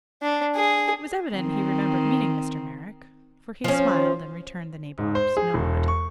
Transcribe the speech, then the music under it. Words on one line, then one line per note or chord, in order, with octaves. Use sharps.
It was evident he remembered meeting Mr. Merrick, for he smiled and returned the "nabob's" nod.
D4
G#4
D#3 C4
F3 C#4
G#2
C5
G#4
E1
C#6